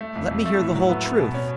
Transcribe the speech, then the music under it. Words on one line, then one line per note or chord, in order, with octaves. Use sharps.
"Let me hear the whole truth."
A3
F2
F2
A3
A2
F#3
B3
B3
B2
C#4